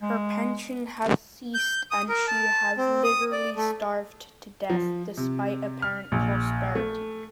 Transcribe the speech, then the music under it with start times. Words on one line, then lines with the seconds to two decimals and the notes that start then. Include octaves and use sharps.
Her pension has ceased and she has literally starved to death, despite apparent prosperity.
0.01 G#3
1.54 G6
1.91 D#6
2.09 A#4
2.28 A5
2.78 C4
3.04 D#6
3.32 D5
3.56 A3
4.70 F3
5.17 C3
5.82 F6
6.12 A#1
6.75 A3